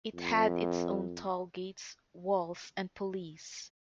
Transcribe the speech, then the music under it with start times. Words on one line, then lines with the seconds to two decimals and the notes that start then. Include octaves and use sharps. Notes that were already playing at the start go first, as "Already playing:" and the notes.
It had its own tollgates, walls and police.
0.14 F2